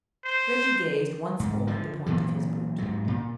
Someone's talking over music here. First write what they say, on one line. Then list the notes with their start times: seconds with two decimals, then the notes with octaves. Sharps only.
Reggie gazed once more at the point of his boot.
0.25 C5
1.40 G#2
1.67 D3 F3
2.06 A#2 E3 F#3
2.78 G#2 F#3
3.08 A#2